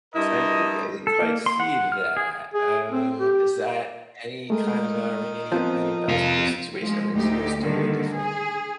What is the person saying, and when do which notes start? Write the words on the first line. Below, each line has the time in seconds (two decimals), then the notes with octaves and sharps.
I didn't I didn't quite see that. Um, is that any kind of a ring any any bells with this situation, or was yours totally different?
0.14 G2 E4 A#4 D#5
1.07 A4
1.22 A#3
1.46 C6
1.60 F#5
1.92 F6
2.17 G#4
2.54 G#4
2.92 C4
3.19 G4
4.50 G#3 A3 A#4 D#5
5.52 F3 B3 C4 C5
6.09 C3 C4 F4
6.81 F3 G#3
7.13 D2 A3 D#4 G4
7.60 D3 D#3 G3 A#3
8.14 G#4